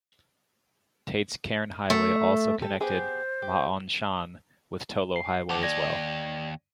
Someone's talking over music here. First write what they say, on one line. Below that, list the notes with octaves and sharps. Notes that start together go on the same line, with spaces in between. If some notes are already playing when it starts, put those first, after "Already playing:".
Tate's Cairn Highway also connected Ma On Shan with Tolo Highway as well.
A3
G4 A4
B3 G4 G#4 C5
G4
C7
D#2 F#5 A5 D6
D5 G#6 A#6